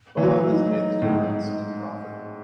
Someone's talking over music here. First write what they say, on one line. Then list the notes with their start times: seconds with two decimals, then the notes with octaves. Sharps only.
Bob has made the difference in profit.
0.17 E3
0.23 F#3 F#4
0.38 E4
0.53 D#4
1.02 A2
1.09 G#2